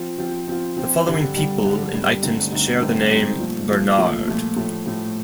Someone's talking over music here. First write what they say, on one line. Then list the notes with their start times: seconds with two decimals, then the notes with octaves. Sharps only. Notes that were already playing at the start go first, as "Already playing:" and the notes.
The following people and items share the name Bernard.
Already playing: F3 C4 F4
0.18 F3 C4 F4
0.47 F3 C4 F4
0.77 F3 C4 F4
1.06 G2 D3 G3
1.35 G2 D3 G3
1.65 G2 D3 G3
1.94 G2 D3 G3
2.23 G2 D3 A3 C4 D#4
2.52 G2 D3 A3 C4 D#4
2.81 G2 D3 A3 C4 D#4
3.10 G2 D3 A3 C4 D#4
3.40 A#2 F3 A3
3.69 A#2 F3 A3
3.98 A#2 F3 A3
4.27 A#2 F3 A3
4.56 A2 F3 A3
4.86 A2 F3 A3